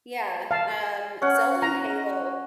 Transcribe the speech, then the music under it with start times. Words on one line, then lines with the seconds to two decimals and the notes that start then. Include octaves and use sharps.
Yeah, um, Zelda and Halo
0.51 F5 A5
1.22 C#4 F#5
1.62 A#5